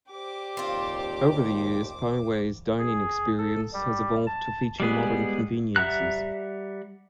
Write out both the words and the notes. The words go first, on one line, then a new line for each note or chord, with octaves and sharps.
Over the years, Pei Wei's dining experience has evolved to feature modern conveniences.
G4 C5 D5 D6
D#2 C4 F4
G#4
A4
G3
A5
G3 G#3 B3 G#4
G3 E5 F#5 A#5 F#6